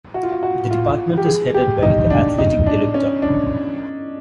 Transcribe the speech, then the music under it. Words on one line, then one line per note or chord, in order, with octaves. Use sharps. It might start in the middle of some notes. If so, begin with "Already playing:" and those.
The department is headed by the Athletic Director.
F#4
F4
F#4
F#4
F4
G4
G#4
G4
D#4
D4
D#4
D4
C#4
D4